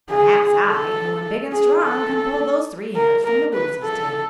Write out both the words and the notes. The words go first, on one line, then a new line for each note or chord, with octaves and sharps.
"But perhaps I, who am big and strong, can pull those three hairs from the Woozy's tail."
G#4
A4
G#4
A4
A#4
A#4
B4
A4